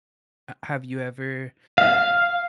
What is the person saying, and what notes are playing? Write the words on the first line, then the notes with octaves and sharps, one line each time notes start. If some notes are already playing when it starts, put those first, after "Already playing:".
A have you ever
F5